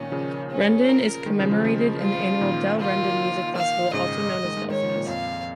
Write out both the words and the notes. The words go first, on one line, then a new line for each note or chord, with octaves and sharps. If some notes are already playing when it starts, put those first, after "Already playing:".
Rendon is commemorated in the annual Del Rendon Music Festival, also known as DelFest.
Already playing: A#2 D#3 C#4
C#3 F3
C#4
A#4
D#3 G#3
C#3 F3
C#3 F3
C#3 F3
F4
A#2 D#3
F4
F5
G#2 C#3 D#5
D#3 G#3
D#3 G#3
D#3 G#3 C#5
C#3 F3
A#2 D#3
F2 A#2 F5